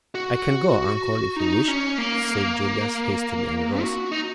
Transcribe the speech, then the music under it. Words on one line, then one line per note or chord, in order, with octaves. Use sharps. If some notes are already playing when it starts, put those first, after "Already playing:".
"I can go, uncle, if you wish," said Julius, hastily, and rose.
F#4
D#4
C#4
A#3
F#4
D#4